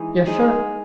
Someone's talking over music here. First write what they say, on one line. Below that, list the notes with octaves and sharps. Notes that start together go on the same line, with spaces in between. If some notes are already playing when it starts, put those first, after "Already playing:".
"Yes, sir."
Already playing: E3 G#3 D#4
G#3 D#4 G#4